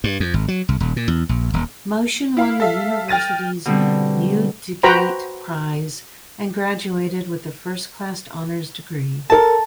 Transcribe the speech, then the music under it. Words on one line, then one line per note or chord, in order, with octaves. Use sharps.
Motion won the university's Newdigate Prize and graduated with a first class honours degree.
G2
F2
G#1
F#3
C2
D#1
A#2
E2
A#1
D#1
E4 F5
A4 E5 F5
G5 F6 A6 A#6 D#7
B2 D3 G3 C4
F#4 B4 C5 G5 A#5 B5
A4 A#4 A5